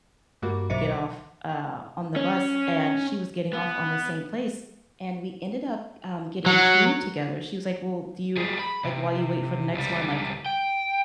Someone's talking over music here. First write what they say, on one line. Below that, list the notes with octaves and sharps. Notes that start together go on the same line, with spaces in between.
to get off, uh, on the bus, and she was getting off on the same place, and we ended up, um, getting food together, she was like, "Well, do you Like, while you wait for the next one, like,
G2 G3 A#3 F#4
B1 C5 D#5 E5 D6 C#7
C#4
B3
F#3 F#5
G3 G#4
B5
C3
C#2 G3
G5